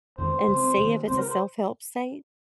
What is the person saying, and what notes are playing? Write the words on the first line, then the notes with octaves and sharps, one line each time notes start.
and see if it's a self-help state
F2 D#3 G#3 C5
C#3 G#3 C4
C3 D#3 A#3
C#3 G#3 C4 C5
A#4
C5